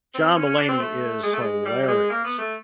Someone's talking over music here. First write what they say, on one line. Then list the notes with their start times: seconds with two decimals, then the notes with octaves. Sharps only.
John Mulaney is hilarious.
0.14 C4
0.36 C#4
0.47 C#4
0.58 D4
0.69 C4
0.80 A3
1.23 G#3
1.33 A3
1.41 G#3
1.65 G3
1.83 G3
1.88 G#3
2.10 A#3
2.24 B3
2.38 A3